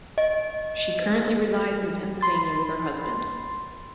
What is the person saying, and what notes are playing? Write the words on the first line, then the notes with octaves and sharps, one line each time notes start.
She currently resides in Pennsylvania with her husband.
D#5
B5 C6 A6